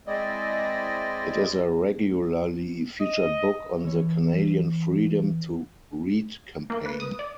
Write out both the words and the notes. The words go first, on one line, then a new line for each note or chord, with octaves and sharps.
It is a regularly featured book on the Canadian Freedom to Read campaign.
G#3 C4 E4 D5 D#5
D#5
E3 C#5
A#3
B4
D#6
D5